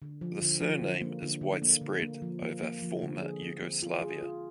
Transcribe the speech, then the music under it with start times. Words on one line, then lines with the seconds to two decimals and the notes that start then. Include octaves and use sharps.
The surname is widespread over former Yugoslavia.
0.02 D3
0.21 F3
0.42 D3
0.61 F3
0.82 D3
1.01 A#3
1.22 D3
1.41 D3
1.62 A#3
1.81 D3
2.02 A#3
2.22 F3
2.42 A#3
2.62 A#3
2.82 F3
3.03 D3
3.22 G#4
3.42 C4
3.62 C4
3.82 F4
4.02 G#4
4.22 F4